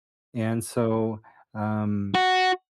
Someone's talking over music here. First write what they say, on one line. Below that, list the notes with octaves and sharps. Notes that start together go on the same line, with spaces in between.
and so, um
F#4